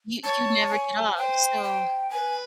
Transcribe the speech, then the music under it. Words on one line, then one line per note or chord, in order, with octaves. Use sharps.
you you never get off. So
C#5 A5
G#5
C5 G5
G5
B4 G#5